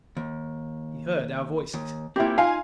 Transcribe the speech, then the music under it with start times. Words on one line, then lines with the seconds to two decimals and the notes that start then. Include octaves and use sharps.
He heard our voices.
0.17 D#2
1.74 D#2
2.16 A#2 C4 E4 G4
2.38 D#4 F4 F5 G#5